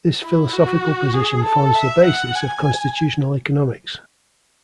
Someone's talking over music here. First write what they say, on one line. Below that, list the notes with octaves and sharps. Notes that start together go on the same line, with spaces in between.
This philosophical position forms the basis of constitutional economics.
E4
F#4
G#4
A4
E5
F#5
G#5